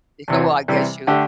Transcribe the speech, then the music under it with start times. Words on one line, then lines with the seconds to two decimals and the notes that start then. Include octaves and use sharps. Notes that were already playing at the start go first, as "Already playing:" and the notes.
Yeah, well, I guess you
0.28 E2 C3 E3
0.68 C3 E3 G3
1.07 D3 A3 D4 G4